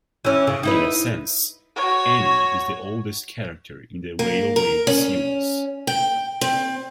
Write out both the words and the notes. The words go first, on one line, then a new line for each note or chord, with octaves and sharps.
In a sense, Annie is the oldest character in the Railway Series.
E3 C#4
C#3
D#4 E4 B4
F#4 C#5
A#3
A#4
C#4
G5
C4